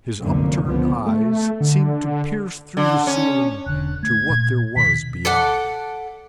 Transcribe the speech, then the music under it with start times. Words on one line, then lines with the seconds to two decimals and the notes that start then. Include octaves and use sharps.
His upturned eyes seemed to pierce through the ceiling to what there was beyond.
0.21 F1 C2 F#2 D3 A#3
0.63 F1 C#2 B2 D3 F3 B3
1.06 A3
1.61 D3
2.77 D3
3.07 C#4
3.66 E1 D3 F#6
4.03 A3 G#6
4.30 A#2
4.76 B2 D#3 F3 B6
5.25 A4 D5 F#5